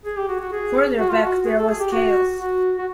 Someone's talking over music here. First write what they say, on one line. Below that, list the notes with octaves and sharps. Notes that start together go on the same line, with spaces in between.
Further back there was chaos.
G#4
G4
F#4
F#4
G#4
F#4
F4
F#4
G#4
A4
G#4
G4
F#4
F#4
F#4